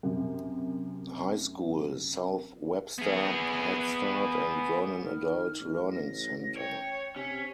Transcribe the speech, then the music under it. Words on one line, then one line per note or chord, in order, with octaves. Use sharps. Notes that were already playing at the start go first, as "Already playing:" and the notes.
High School, South Webster Headstart, and Vernon Adult Learning Center.
F#2 C3
B3 G#4
D#3 F6
A1
A#6
C#5 G5
C3 C#4 B6